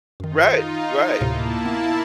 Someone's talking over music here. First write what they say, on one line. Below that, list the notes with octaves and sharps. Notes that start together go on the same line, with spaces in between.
Right. Right.
F#2 D#3 D#4 F4
D2 A2 C3 A#3 E4 A5
B3